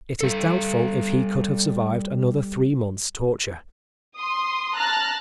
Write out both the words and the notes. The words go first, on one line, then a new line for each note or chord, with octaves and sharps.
It is doubtful if he could have survived another three months' torture.
G3 A4
C6 D#6
A5 A#5 F6 F#6 A6 A#6